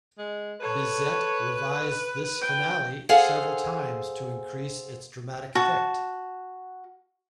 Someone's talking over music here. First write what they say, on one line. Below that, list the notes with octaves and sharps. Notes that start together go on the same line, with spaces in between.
Bizet revised this finale several times to increase its dramatic effect.
G#3
A4 B4 C#5
G5
G#4 A4 C5 F5 F#5 G#5
F#4 A5